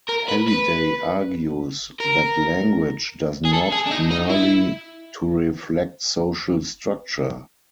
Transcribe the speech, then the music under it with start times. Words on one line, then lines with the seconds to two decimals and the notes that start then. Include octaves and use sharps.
Halliday argues that language does not merely to reflect social structure.
0.09 A#4
0.28 B4
0.48 B4
2.00 A#4
3.45 G#4
3.53 A4
3.72 G#4
3.87 D4
3.92 D#4
4.11 D#4
4.30 E4